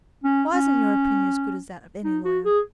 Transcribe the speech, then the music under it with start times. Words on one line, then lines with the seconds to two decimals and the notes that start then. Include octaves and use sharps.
"Why isn't your opinion as good as that of any lawyer?"
0.24 C#4
0.54 C#4
2.04 D#4
2.25 F#4
2.45 G#4